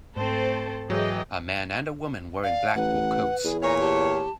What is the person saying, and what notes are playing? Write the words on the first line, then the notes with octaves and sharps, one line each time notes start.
A man and a woman wearing black wool coats.
G#2 A3 C4 A4 C5 A5
G#2 E3 F#3 G#4 C#5 D#5 G5 G6
D5 F5
A1 B4 F#5
E2 G#4
A#2 C#5 G#5 A#5
G4 A5